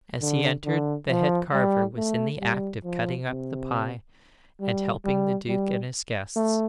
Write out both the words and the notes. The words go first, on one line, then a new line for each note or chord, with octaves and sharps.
As he entered the head carver was in the act of cutting up the pie and helping the duke and his guests.
D3
D3
F3
G3
A3
G3
F3
C3
G3
G3
G3
A3